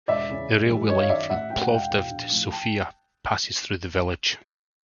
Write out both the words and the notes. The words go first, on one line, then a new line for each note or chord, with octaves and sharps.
The railway line from Plovdiv to Sofia passes through the village.
E1 D5 E5
E2 C#3 E3
G#1
G#2 E3 G3
G1 C#5 D#5
F5
F#2 D#3 D5 E5
A1 E5 F#5
A2 F#3 G5
F#5
E1 F5 G5
E2 B2
A#1
A2 F3
G5 A5